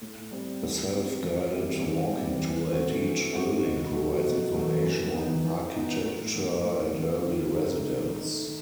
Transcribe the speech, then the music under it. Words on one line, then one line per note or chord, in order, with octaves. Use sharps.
A self-guided walking tour at each building provides information on architecture and early residents.
A2
G3 C4
A2
G3 C4
E3
G3 C4 E4 G4
E3
G3 C4 E4 G4
E3
A3 C4 F#4
E3
A3 C4 F#4
B2
F#3 A3
B2
F#3 A3
E3
B3 D#4
E3
B3 D#4
A2
E3 B3
A2
E3 B3
D#3
A3 D#4
D#3
A3 D#4
D#3